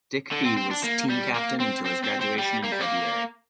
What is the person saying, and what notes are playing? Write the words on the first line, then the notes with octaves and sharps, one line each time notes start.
Dick Fee was team captain until his graduation in February.
D3
C4
C4
D4
A#3
G3
A#3
C4
C4
C4
C4
G3
A#3
G3
A#3